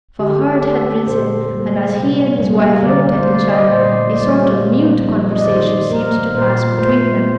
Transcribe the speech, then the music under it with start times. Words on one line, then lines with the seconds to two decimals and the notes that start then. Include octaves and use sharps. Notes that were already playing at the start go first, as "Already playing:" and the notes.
For Hurd had risen, and as he and his wife looked at each other a sort of mute conversation seemed to pass between them.
0.19 D3 G4
0.30 A4
0.41 G4
0.63 A3 A4
1.07 A#2 C5
1.51 G3 A#3
1.95 C3
2.39 G3 A#3
2.82 D3 D5
3.17 C5
3.27 A3 D5
3.49 D#5
3.60 D5
3.70 A#2 C5
4.14 G3 A#3 D5
4.59 A#2
5.03 F3 A3
5.31 D#5
5.38 D5
5.47 D#3 C5
5.91 A#3 A#4
6.35 A#2 C5
6.78 A3 C5